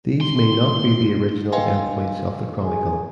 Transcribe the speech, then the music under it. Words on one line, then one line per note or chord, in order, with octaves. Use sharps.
These may not be the original end points of the chronicle.
C6
B4 D#5 F5 G5 G#5 C6
G#4